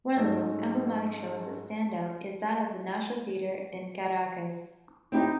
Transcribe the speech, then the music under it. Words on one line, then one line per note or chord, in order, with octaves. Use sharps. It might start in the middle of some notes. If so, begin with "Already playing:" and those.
One of the most emblematic shows that stands out is that of the National Theater in Caracas.
G#2 F#3 A3 C#4 D#4 G#4
C4 D#4 E4 G4